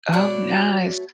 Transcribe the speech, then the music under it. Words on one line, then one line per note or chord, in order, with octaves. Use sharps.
Oh, nice.
B2 F#3 A3 D4